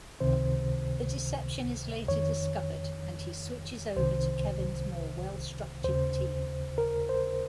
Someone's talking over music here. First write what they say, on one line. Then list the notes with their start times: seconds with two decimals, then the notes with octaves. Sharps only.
The deception is later discovered and he switches over to Kevin's more well-structured team.
0.20 C#2 C3 D#3 C5
2.08 F2 D#3 C#5
3.96 C2 C3 D#3 C5
5.84 D#2 C#3 C5
6.78 A#4
7.09 C5